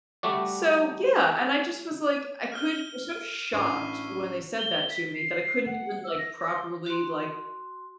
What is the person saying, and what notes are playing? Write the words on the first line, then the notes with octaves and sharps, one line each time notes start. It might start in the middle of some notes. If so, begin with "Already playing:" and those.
so yeah, and I just was, like I couldn't was so shocked when they said that to me that I couldn't even, like, properly, like
G3 A3 F#4 D5
F6 G7
A1 D4 E4 C#6 C7 D#7
G7
B6
C7
F#5
E6
A#6
C6
F#4 C6